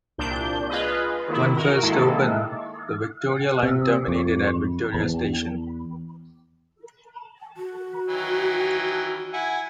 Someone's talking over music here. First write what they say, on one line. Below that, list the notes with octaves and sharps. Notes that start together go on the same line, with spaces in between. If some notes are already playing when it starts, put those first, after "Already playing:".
When first opened, the Victoria line terminated at Victoria station.
C2 A#2 D4 G6
F4 G#4 B4 D#5
D#3 A#3 E4
F#4 A#4
D#3 G#3 A#3 E4 A4
C3
F2
E2
F#4
D#3 E3 F#3
E4 F#5 G#5